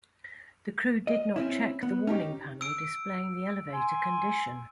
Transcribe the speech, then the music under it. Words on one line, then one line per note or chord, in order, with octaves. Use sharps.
The crew did not check the warning panel displaying the elevator condition.
D#5
C4 C#4 E4
B3
C#4 D#4 G4
E6 D7
G#5 C6